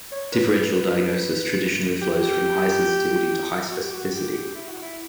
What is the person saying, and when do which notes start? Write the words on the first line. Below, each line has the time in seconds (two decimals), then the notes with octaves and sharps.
Differential diagnosis traditionally flows from high sensitivity to high specificity.
0.12 C#5
0.33 B4
2.02 G4
3.71 F#4
3.82 G4
3.94 F#4
4.13 G4
4.55 E4
4.68 F#4
4.82 E4